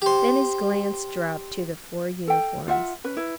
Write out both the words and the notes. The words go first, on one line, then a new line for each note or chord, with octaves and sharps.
Then his glance dropped to the four uniforms.
G4 C5
A4 G5
F4 E5 F#5
C#4 B4
E4 B4